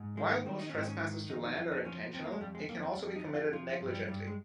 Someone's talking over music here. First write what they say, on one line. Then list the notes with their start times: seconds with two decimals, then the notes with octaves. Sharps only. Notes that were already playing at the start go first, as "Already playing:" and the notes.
While most trespasses to land are intentional, it can also be committed negligently.
Already playing: G#2
0.17 D#3 G#3
0.32 A#3
0.46 D#3 C4
0.59 D#4
0.70 C#4
0.74 G#2 C4
0.88 C#4
1.02 D#3
1.29 F2 D#4
1.44 D#4
1.57 F2 F4
1.71 D#4
1.85 F3 C#4
2.13 F2 C4
2.24 A#3
2.32 G#3
2.41 F2 G3
2.55 G#3
2.69 F2 A#3
2.83 C4
2.97 F2
3.16 D#4
3.26 F2
3.34 F4
3.53 F3 F4
3.72 F4
3.81 G2
3.90 G3
4.08 G2 G3
4.27 G#3